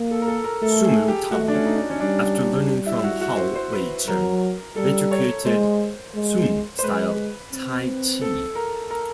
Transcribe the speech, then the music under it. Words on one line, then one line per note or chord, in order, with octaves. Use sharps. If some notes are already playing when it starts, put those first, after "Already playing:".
Sun Lutang after learning from Hao Wei-zhen later created Sun style Tai Chi.
Already playing: A#3
A4
A#4
A4
A#4
A3 A4
G#4
G4
A3 F#4
D4
C#4
D#4
D4
C#4
G3 D4
E4
F#4
F#4
C5
C5
B4
F#3 A#4
G3 A4
C#5
G#3 C5
G#3
C5
G#3 B4
C4
A4
A#4
A#4